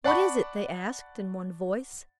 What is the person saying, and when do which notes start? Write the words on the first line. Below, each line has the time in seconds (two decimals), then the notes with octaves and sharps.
"What is it?" they asked, in one voice.
0.04 D5 F#5 A5 B5 C#6